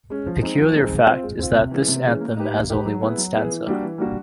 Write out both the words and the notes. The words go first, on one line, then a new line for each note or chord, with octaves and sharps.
A peculiar fact is that this anthem has only one stanza.
G#3 C#4
F3
G#3 C4 D#4 G#4
F3
G#3 C4 D#4 G#4
G#3
C4 F4
G#3
C4 F4
C3
E3 G#3 C#4
C3
E3 G#3 C#4
A#3
D#4 G4 B4
A#3
D#4 G4 B4
F#3
B3 E4 G#4 B4
F#3
B3 E4 G#4 B4
E3
G3 A#3 D4 F#4
E3
G3 A#3 D4 F#4